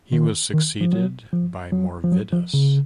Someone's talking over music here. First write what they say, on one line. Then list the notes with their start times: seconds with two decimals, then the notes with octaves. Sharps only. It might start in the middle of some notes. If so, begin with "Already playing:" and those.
He was succeeded by Morvidus.
0.12 D#3
0.53 D#3
0.81 F3
0.93 F#3
1.33 F3
1.72 F#3
2.04 F3
2.12 F#3
2.32 F3
2.54 C#3